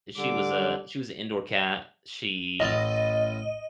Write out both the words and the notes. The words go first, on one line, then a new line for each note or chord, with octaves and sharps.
She was a she was a indoor cat. She
D3 G3 D6
A1 E4 D#5 A5